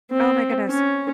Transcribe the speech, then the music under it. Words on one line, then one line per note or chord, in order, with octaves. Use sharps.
oh my goodness
C4
C#4